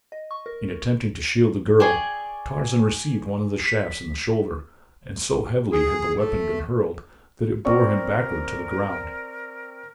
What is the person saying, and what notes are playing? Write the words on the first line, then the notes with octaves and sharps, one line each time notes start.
In attempting to shield the girl, Tarzan received one of the shafts in the shoulder, and so heavily had the weapon been hurled that it bore him backward to the ground.
D#5
C#6
A#4
G#4 D5 G5 G#5 C#6
B6
G#4
A3
C4 A#4 D5 C#6